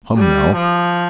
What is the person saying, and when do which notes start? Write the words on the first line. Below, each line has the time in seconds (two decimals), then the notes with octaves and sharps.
Come, now!
0.17 G3
0.56 F3